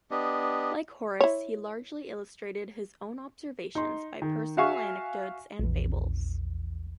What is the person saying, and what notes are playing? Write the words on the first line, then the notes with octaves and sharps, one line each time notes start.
Like Horace he largely illustrated his own observations by personal anecdotes and fables.
B3 D4 G4 D#5
E4 C#5
D#4 C6
D#3
F#4 E5 F5 G#5 C#6
A#1 E2